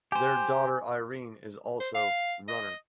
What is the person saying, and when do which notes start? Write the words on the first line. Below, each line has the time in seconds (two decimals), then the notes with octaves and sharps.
Their daughter Irene is also runner.
0.12 G4 C5 G#5
1.80 C5
1.95 F5
2.48 D#5